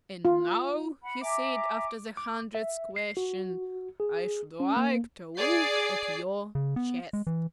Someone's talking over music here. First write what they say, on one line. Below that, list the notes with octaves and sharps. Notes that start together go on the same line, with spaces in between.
"And now," he said, after the hundredth question, "I should like to look at your chest."
F4
F#5 B5
E5 G#5 A#5 D6
D6
E5
C7
F#4
G#4
C#4
A#3
G#4 D5 C7
C#3
B3
G#3
E3